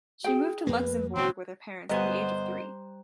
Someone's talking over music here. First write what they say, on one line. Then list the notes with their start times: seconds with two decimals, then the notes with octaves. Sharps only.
She moved to Luxembourg with her parents at the age of three.
0.24 F#4 G#4 G5
0.67 F2 A#3 B4
1.16 A1 B2 D3 C4 F#4
1.89 G1 G3 B3 C5 D#5 G#5 A#5 F#6